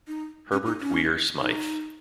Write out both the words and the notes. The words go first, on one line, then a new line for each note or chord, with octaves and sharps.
Herbert Weir Smyth.
D#4
C#4
D#4
C#4
D#4